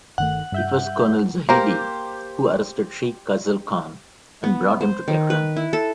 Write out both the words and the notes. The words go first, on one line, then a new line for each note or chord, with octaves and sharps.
It was Colonel Zahedi who arrested Sheikh Khaz'al Khan and brought him to Tehran.
G1 D#3 A3 F#5
G2 E5 G6
A#3 G4 A#4 C5
B3
C5
D#3
B4
E4
A4